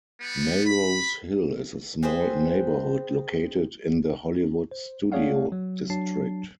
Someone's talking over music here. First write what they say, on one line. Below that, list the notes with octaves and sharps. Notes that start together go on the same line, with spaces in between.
Melrose Hill is a small neighborhood located in the Hollywood Studio District.
G3 B3
B5
C4 G#4 B4 C5
C5
A3 G#4 C#5 D5 F5 F#5
F#3
F#3 D4 A5 C7